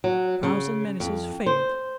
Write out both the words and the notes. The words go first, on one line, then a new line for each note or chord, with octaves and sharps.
Frowns and menaces failed.
F#3
C#3
F2
C5